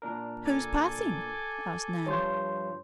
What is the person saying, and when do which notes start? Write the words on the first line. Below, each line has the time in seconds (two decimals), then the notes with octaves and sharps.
"Who is passing?" asked Nan.
0.02 A#2 D4 A#4
0.45 A4 G#5 D6
2.06 G2 F3 C#5 C6 G6